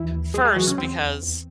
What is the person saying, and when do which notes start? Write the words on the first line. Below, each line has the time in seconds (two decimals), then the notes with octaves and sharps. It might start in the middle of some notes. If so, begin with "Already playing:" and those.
First, because
Already playing: D#2 E3 E4
0.11 D#2
0.34 F#2 G#3 G#4
0.45 G#3 G#4
0.56 E3 F#3 F#4
0.67 C#3 C#4
0.78 E2 C4
1.00 E2
1.22 E2